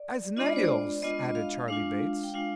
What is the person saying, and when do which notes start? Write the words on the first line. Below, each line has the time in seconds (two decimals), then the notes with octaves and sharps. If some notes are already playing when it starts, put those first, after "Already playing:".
'As nails,' added Charley Bates.
Already playing: D5
0.37 G#3 B3 D4 F4 D#5
0.46 D5
0.56 C5
0.65 D5
1.02 G#3 B3 D4 F4 D#5
1.25 D#5
1.35 F5
1.68 G#3 D4 F4 F5
2.23 G5
2.34 G#3 D4 F4 F5